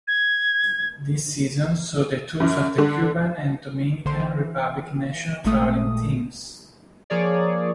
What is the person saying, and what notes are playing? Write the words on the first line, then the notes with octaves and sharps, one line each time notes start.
This season saw the tours of the Cuban and Dominican Republic National traveling teams.
G#6
F#2
D3
A#1 D3 C5 C6
E3
A1 A#2 G#3 A3 D#6
F3 A#3 G#4 C#5 D5